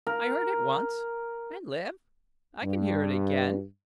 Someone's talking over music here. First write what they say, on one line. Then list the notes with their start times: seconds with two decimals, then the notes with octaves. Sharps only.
I heard it once and live--I can hear it again.
0.07 A#4
2.64 G2